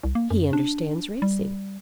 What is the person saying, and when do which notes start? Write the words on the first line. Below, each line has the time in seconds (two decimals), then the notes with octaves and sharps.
"He understands racing."
0.03 C2
0.15 A#3
0.30 F#2
0.53 D4
1.22 G3